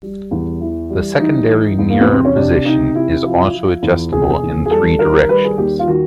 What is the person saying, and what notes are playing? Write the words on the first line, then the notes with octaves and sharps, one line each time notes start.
The secondary mirror position is also adjustable in three directions.
G3
E2
E3
G3
E3 D#4
E3
E2
A#3
B3
C3
C4
C#4
C3 D4
C3 D#4
C3 E4
F3
F3
E2
F1 G#4
E2
G#4
G3 A4
D#3 A#4
G3 B4
G#4
D#2 G4
F4
D#3 F#4